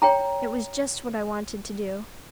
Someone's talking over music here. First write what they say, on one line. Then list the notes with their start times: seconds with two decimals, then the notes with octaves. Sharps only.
It was just what I wanted to do.
0.02 C#5 G5 A#5